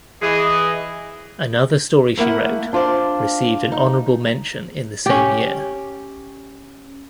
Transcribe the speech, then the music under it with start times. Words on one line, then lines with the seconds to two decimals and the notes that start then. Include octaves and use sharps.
Another story she wrote received an honorable mention in the same year.
0.22 E3 G#4 D#5
2.17 A3 A#3 E4 F#5
2.73 D4 F4 C5 D5
3.72 D#4
5.06 C#4 G4